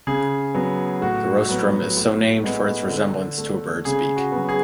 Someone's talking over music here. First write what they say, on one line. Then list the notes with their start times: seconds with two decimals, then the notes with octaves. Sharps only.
The rostrum is so named for its resemblance to a bird's beak.
0.07 C#3 G#4
0.54 F#3 B3
1.01 A2 F#4
1.49 F#3 B3
1.97 A2
2.44 G#3 B3
2.90 D3
3.38 A3
3.85 C#3 G#4
4.16 F#4
4.32 F#3 B3
4.49 G#4